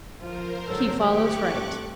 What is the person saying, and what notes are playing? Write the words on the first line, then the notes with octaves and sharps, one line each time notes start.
He follows right.
F3 F4 A#4 C5
G#2 D3 F#3 A4
D2 A3 G4 C#6 D6 F#6
G2 C4 A4